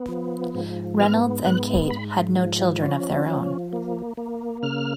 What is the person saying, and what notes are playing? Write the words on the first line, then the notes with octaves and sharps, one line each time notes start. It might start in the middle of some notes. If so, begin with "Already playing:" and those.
Reynolds and Kate had no children of their own.
Already playing: B3
F3
G#2
B3 F6
G#2 F#6
G#2 B5
F3
C#4
F3
A#3
A#3
C#3 F6